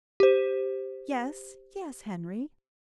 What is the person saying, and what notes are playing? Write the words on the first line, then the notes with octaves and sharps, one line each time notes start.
"Yes--yes, Henry?"
G4 C5